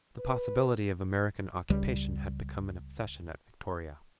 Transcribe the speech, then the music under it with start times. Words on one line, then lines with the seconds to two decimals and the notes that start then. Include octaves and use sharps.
The possibility of American occupation had become an obsession at Victoria.
0.18 B4
1.70 C#2 G3